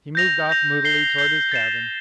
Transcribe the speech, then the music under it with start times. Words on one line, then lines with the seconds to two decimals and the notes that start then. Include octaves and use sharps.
He moved off moodily toward his cabin.
0.15 G6 A#6 F7
0.49 G6 A#6 F7
0.83 G6 C7 G7
1.18 G6 C7 G7
1.52 A6 C7 E7